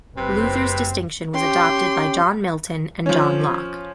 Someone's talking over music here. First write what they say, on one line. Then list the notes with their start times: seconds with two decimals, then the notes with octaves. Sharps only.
Luther's distinction was adopted by John Milton and John Locke.
0.17 F#1 F#2 C3 C4 B4
1.34 C#4 G4 G5 C6
3.06 F3 C#4